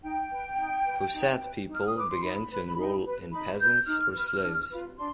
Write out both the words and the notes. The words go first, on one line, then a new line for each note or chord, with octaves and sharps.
Posad people began to enroll in Peasants or slaves.
D#4 G5
B4
D#4
B4
D#4
B4
D#4
F6
D#6
B4 D6
C6
D#4 B5
B4
D#4
B4
D#4 B5
B4 G6
D#4 F6
B4
D4
F4 B4
D4 C6